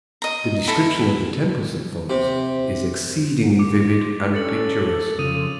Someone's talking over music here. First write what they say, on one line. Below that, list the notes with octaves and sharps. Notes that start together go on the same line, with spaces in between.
The description of the tempest that follows is exceedingly vivid and picturesque.
D#5 A#5
E4 A4
C3
F4 D6
C#4 A4 A6 C#7 F#7
F2 C#3 F4 D#6 D#7 F7